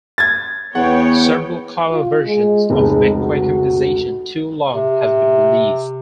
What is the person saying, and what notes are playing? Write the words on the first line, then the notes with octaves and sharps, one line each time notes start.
Several cover versions of McCoy's composition "Too Long" have been released.
G#6 A6
E2 B3 C#5 F#5 G5
F4
G#3
F1 C#2 G#3
F#4
C3